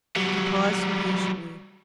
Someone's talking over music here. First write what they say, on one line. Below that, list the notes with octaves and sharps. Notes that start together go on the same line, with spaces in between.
He paused impatiently.
F#3 G3